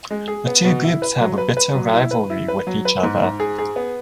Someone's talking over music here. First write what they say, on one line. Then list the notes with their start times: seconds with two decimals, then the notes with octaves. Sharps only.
The two groups have a bitter rivalry with each other.
0.11 G#3
0.28 G#4
0.47 B3
0.65 B2
0.84 E4
1.02 B4
1.20 F#3
1.38 B4
1.57 B4
1.75 F#3
1.93 E4
2.11 B4
2.30 E4
2.48 B4
2.67 F#3
2.85 B4
3.03 G#2
3.22 G#2
3.40 G#4
3.58 G#4
3.76 B3